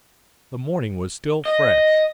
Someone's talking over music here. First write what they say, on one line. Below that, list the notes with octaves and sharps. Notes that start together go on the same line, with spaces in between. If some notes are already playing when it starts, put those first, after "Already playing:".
The morning was still fresh.
D#5